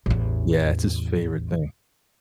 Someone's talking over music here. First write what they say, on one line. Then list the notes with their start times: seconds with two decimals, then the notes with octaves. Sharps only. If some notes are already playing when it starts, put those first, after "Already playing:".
Yeah, it's his favorite thing.
0.06 A1 E2